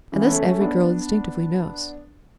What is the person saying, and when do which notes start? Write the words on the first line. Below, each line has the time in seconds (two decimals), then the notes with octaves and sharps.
And this every girl instinctively knows.
0.12 C#3 E3
0.21 B3
0.29 A3 C#4
0.45 A3 C#4
0.60 B3 D4